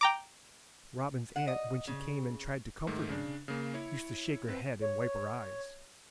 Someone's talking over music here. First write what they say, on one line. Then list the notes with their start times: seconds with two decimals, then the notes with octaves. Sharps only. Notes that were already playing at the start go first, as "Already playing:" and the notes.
Robin's aunt when she came and tried to comfort him used to shake her head and wipe her eyes.
0.01 G5 A#5 D6
1.36 F#5
1.48 D#5
1.87 C#3
2.87 G#2 D#3 A3
3.09 C#3 D4
3.48 C#3 A#3
3.74 E4 C#5
4.48 C4 B4
4.81 C#5